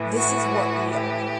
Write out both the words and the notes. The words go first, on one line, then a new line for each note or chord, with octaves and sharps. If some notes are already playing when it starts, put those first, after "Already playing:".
This is what we are!
Already playing: A2 E3
F#4
G4